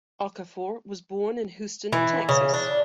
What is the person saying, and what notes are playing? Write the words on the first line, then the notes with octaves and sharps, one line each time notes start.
Okafor was born in Houston, Texas.
E3
C#3
D4